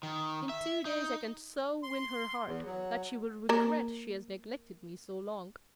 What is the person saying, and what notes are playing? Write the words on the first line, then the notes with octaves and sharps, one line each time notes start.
"In two days I can so win her heart that she will regret she has neglected me so long."
D#3
E5
D#4
C6
E2
F#3
A#3 A#4